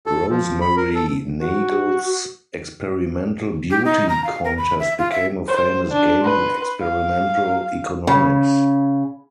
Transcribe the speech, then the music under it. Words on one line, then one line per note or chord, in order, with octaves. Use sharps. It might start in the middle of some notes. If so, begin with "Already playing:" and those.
Rosemarie Nagel's experimental beauty contest became a famous game in experimental economics.
A4
F3
B5
A#4
A4
F#4
G4
D#4
A#5
F5
A#4
B5
E5
F4
E5
C5
D4
B4 C6
F5
C#3